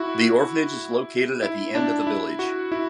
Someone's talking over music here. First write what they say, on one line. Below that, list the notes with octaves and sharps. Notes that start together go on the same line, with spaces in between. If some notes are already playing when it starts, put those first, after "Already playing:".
The orphanage is located at the end of the village.
Already playing: E4 F#4
E4
D4
E4
F#4
E4